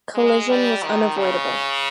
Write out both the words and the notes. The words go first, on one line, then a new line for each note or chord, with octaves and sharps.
Collision was unavoidable.
G#3
G3
D#3
C#3